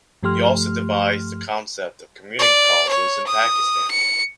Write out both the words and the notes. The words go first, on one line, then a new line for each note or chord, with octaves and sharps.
He also devised the concept of community colleges in Pakistan.
G2 F3 A3 G4 C6 F6
D5
C#5
D#6
C#7